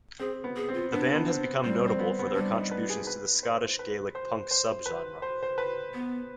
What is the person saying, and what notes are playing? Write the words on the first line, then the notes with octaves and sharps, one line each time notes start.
The band has become notable for their contributions to the Scottish Gaelic punk subgenre.
C4 G#4
B3
G#4
C4
F4
B3 D4
B3
C4
G3 C4
C4
B3
B3
C4
G3 D4
D#4
B4
G#4
B4
C5
B4
C5
C5
B4
C5
C5
B4
B3